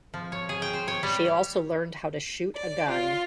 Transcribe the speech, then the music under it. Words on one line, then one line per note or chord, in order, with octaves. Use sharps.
She also learned how to shoot a gun.
F3
C#5
G#4
G5
C5
C#5
G3
D5
F4